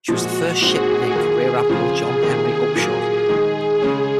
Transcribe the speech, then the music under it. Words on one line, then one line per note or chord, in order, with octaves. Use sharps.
She was the first ship named for Rear Admiral John Henry Upshur.
A#2 F3 G#3 F#4
A#2 G#3 C4 D#4 G#4
D#3 A#3 F4 G#4
C#3 F3 C4 F4
C3 D#3 A#3 F4 G#4
A#2 F#3 A#3 F4
D#3 G#3 D#4 G#4
C#3 G#3 C#4